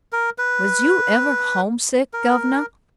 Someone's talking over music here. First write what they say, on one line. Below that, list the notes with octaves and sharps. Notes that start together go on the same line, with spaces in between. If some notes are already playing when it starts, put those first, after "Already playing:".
Was you ever homesick, governor?'
A#4
B4
A#4